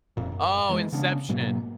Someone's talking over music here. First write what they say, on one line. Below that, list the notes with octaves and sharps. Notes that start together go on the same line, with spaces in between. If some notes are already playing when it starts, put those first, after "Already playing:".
Oh, Inception.
E1 F2 A#2
F#2
E3 G3 G#3
C#3 B3 C#4 D4
G#2 B2 F#3 A#3